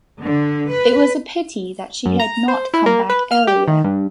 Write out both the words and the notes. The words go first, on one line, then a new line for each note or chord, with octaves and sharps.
It was a pity that she had not come back earlier!
D3
B4
F#2
A#5
C5
E4
A#3
B4
F6
G4
D#3
G2